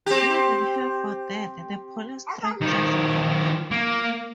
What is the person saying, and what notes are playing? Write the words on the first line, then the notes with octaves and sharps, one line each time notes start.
Leaving her for dead, the police drag Joseph away.
C4 G4
D#3 F3
A#3